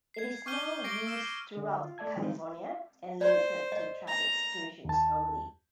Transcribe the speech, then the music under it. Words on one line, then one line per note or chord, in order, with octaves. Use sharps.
It is now used throughout California and limited to traffic situations only.
G#6 C7
C#6 D6 F6 G6 D#7 G7
D6 A#6 C7 D7 G7
E6 F6 E7
D3
F4
A3 D5 E5 A5 G#6
D#3 E3 G3 G#3 C4 D#4
C5 D5
D#5
A#5
D#2 A5